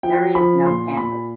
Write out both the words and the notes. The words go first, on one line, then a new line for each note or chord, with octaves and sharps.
There is no canthus.
F3 G5
F3 B5
A#2 C6
A#2 B5